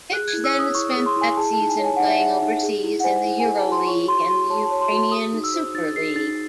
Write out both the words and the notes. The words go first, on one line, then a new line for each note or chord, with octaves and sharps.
Fitch then spent that season playing overseas in the Euroleague and the Ukrainian SuperLeague.
G#4 F#6
G#6
E4
E6
C#5 D#6
E4 C#6
D#6
G#4
C6
E4 G#5
G#4 A5
A5
D#4
G#5
C#5
G#5
D#4 F#5
E5
G#4 F#5
D#4
G#4
E4
F#5
C5 G#5
E4
G#5
G#4
A5
E4 C6
C#5 C#6
F#4 C6
F#4 C6
C#5 A5
A5
C#5
C6
F#4 C6
G#4 D#6
D#4
E6
C5
D#4 A6
G#4 C7
D#4 A6